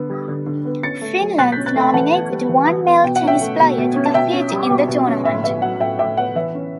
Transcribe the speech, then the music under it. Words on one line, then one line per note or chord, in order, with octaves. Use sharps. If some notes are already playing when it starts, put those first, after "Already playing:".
Finland nominated one male tennis player to compete in the tournament.
Already playing: D3 B3
G3
D3
D3
B3
C#4 A6 C#7
A3
F#3
B2 F#6 A6
C#4 G6 B6
F#6 A6
A3 G5 B5
E3 F#5 A5
B3
G3
E3
E3
B3
B2 G5
F#5
C#4 E5 G5
A3
B2
B2
C#4
A5
B2 E5 G5
C#4
G3
B2
B2
C#4
A2 E5
B3 E5
F#3 F#5
A2 E5 G5
A2 E5 G5
B3 F#5
E3 E5
C#4